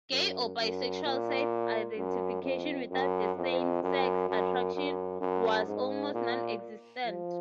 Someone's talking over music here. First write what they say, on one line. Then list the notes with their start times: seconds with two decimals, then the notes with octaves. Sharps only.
Gay or bisexual self-identification without same-sex attraction was almost non-existent.
0.12 F#2
0.58 F#2
1.04 A#2
1.97 F#2
2.43 F2
2.90 F#2
3.37 F2
3.83 F#2
4.29 F#2
4.75 F#2
5.21 F#2
5.68 G#2
6.14 A#2
7.06 F3